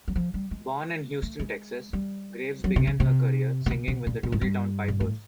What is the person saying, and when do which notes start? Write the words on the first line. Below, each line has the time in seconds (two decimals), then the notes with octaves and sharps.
Born in Houston, Texas, Graves began her career singing with The Doodletown Pipers.
0.08 F#3
0.16 F3
0.34 G3
0.51 G#3
1.22 A3
1.39 G#3
1.93 G3
2.64 F#3
2.76 C3
2.87 C#3
3.00 C3
3.66 C3
3.71 B2
3.88 B2
4.07 A#2
4.23 A#2
4.32 G#2
4.41 G2
4.88 A#2
5.00 A2